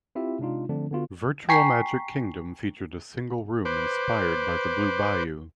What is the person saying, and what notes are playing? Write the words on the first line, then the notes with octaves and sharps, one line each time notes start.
Virtual Magic Kingdom featured a single room inspired by the Blue Bayou.
C4 E4 F4 G4 E5
C3 G#3 D4 D#4 F4
D3 F3 A3 C4 D4
D3 B3 F4 F#4
G5 G#5 A#5 C#6 B6 C7
B4 C5 D6